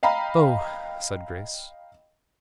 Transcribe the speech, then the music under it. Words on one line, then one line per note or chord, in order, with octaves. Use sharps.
"No," said Grace.
D#5 F5 G5 A#5 B5